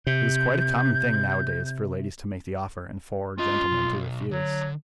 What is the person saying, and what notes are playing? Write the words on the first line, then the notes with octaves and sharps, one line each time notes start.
It is quite a common thing nowadays for ladies to make the offer, and for gentlemen to refuse.
C3 G6
C#4 F4 D#5
B1
D3 F#3